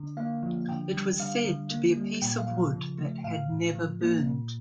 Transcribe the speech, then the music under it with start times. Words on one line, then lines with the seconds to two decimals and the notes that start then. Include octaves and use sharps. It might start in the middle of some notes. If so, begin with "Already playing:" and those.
It was said to be a piece of wood that had never burnt.
Already playing: D3
0.17 A#3 F5
0.43 F3
0.69 D3 G5
0.94 G3
1.20 D3 F5
1.45 D3
1.71 A#3
1.97 G3
2.22 A#2 G5
2.38 F5
2.48 F3
2.73 C#3
2.98 A3
3.24 A2 F5
3.49 A2
3.75 F3
4.01 A#3
4.26 A#2